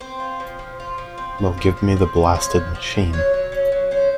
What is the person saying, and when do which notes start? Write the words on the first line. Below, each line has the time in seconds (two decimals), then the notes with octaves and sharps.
Well, give me the blasted machine.
0.01 C4 C5
0.20 F4
0.40 F3
0.59 F3
0.80 F4
0.98 F3
1.18 C4
1.38 F4
1.58 F3
1.77 F3
1.97 C4
2.16 F4
2.35 F3 C#5
2.55 F3
2.75 F3
2.95 F3
3.13 F#3 C#5
3.34 F#3
3.52 C#4
3.72 F#3
3.91 C#4 C5